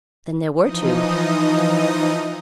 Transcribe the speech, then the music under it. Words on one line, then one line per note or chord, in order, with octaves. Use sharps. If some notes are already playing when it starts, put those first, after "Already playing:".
"Then there were two?"
E3 F3 D#4 D#5 D#6